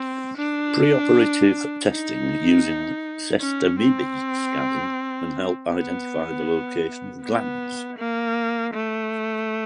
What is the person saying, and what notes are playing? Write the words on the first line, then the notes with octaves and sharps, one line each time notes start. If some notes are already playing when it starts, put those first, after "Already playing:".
Preoperative testing using sestamibi scanning can help identify the location of glands.
Already playing: C4
D4
D#4
C#4
C4
B3
B3
A#3
A3